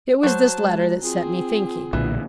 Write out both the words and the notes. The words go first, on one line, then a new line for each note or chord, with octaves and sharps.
It was this letter that set me thinking.
F#3 C5 A5
G#3
C4 F4 G#4
B1 A#2 D3 E3